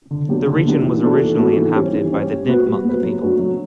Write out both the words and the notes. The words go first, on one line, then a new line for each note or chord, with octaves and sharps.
This region was originally inhabited by the Nipmuck people.
D3
F#3 B3 D4 G4
D3
F#3 B3 D4 G4
E3
B3 D4 F#4 A4
E3
B3 D4 F#4 A4
E3
G3 C#4 G4
E3
G3 C#4 G4
G3
B3 F#4 B4
G3
B3 F#4 B4
F#3
A3 D4 F#4
F#3